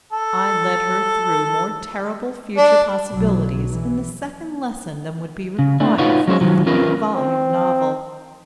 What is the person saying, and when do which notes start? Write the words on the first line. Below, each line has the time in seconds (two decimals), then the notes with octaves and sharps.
I led her through more terrible future possibilities in the second lesson than would be required for a three-volume novel.
0.13 A4
2.57 D4
3.12 B1 F#3
3.70 E3
5.59 C#3
5.80 A3 D4 E4
5.98 D#4 F4 F#4 B4 C#5
6.27 F#3 C#4 C5 C#5
6.41 D#3 F3 F#3
6.66 C#4 E4 F4 A#4 B4
7.15 C4